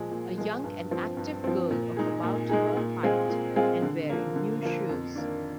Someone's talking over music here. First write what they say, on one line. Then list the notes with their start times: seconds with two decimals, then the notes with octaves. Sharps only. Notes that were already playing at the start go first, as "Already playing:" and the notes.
A young and active girl of about her height, and wearing new shoes.
Already playing: A#2 F3 G#3
0.11 A#2
0.38 F3 G#3
0.64 G2
0.91 F3 C4
1.17 G2
1.44 F3 C4
1.71 A#2
1.97 G#3 D#4 G#4
2.23 A#2
2.50 G#3 D#4 G#4
2.77 A#2
3.03 G#3 C4 F4 G#4
3.29 A#2
3.56 G#3 C4 F4 G#4
3.82 D3
4.09 F3 A#3
4.36 D3
4.62 F3 A#3
4.89 F2
5.16 D#3 A#3 D4